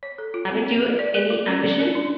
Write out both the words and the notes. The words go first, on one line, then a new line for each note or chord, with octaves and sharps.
Haven't you any ambition?
C#5
A4
F4
C4
C#5
A4
D5
A#4
F4
C#4
D5
A#4
D4